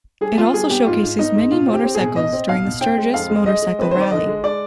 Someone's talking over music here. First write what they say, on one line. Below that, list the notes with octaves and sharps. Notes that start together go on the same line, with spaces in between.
It also showcases many motorcycles during the Sturgis Motorcycle Rally.
G3 G#4
B3 F4
G3 G#4
B3 G4
G#2 F4
G#2
B3 D#4
G#2
B2 F4
C4
G4
C4
G#4
B2
B2 D#5
C4
B2 F5
B2
C4 G5
G#3
F2 F5
G#3
G#3 D#5
G#3
C4 B4
D#3 C5
D5
D3 D#5
G#3
G#3 D5